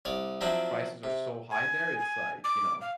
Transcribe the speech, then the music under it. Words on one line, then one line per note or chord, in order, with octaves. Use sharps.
prices are so high there, it's like, you know
C2 C#5 D5
F3 F#3 C4 D4 E4 F#4
C3
G#5
G#5
D6
F5